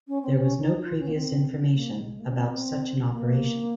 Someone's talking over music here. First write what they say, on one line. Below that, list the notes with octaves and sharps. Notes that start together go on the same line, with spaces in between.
There was no previous information about such an operation.
C#4
C4
C#4
D#4
F4
C#4
A#3
C4
A#3
G#3
G#3
A#3
C#4
C4
C4
A#3